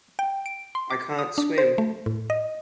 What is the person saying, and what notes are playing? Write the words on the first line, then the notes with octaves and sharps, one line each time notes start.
I can't swim.
G5
D7
C6
D6
D#6
D4
C5
A3
A2
D#5